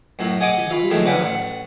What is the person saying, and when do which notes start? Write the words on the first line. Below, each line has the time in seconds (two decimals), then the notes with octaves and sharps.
Was it not enough?
0.19 F#2 A2 F#3
0.40 G#4 D#5 F#5 G#5 D6 D#6
0.70 F4 B5
0.91 D#3 F3 F#3 G#3 A3
1.05 D#4 B4 D5 F#5 G#5 B5
1.21 A1 F#5